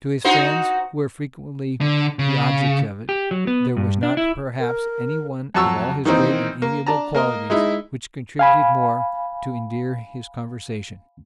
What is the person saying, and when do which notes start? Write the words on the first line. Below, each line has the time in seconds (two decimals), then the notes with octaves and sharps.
To his friends who were frequently the objects of it, there was not perhaps any one of all his great and amiable qualities which contributed more to endear his conversation.
0.25 D#4 F#4 C5
1.81 D3
2.19 C#3
3.09 G4
3.31 F#3
3.47 B3
3.77 G2
4.03 D4
4.17 E4
4.60 A#4
5.54 F2 F#3 A5 C#6 E6
6.05 D#3 E3 A#3 C4 D#4
6.62 A#3
6.87 D4 A5 A#5
7.15 A#3 A#4 D#5
7.50 G#3 D#4 E4
8.39 F5 G#5 B5